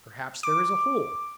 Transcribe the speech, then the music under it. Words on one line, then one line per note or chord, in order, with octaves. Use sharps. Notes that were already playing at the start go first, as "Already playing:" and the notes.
Perhaps there is a hole.
D6